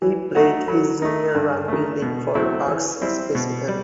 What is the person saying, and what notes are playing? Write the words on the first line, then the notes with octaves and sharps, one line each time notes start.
He played his junior rugby league for Parkes Spacemen.
E3
A3 D#4 F#4
F#3
A3 D#4
G2
D#3 A3
B2
F#3 A3 C4 E4
E3
G3 C4 E4
B2
G3